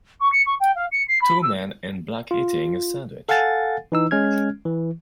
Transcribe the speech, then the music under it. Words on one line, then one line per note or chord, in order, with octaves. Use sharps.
Two men in black eating a sandwich.
C#6
C#7
C#6
G5
F5
C#7
C7
B5
E6
F4
A4 F5 F#5 G#5 A6
E3 D#4 E6
G#3 C#4 F6 G#6
E3